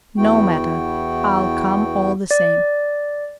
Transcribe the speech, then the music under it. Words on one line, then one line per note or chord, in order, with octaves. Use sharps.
"No matter, I'll come all the same."
E2 B3 E4 F#4 G5
D5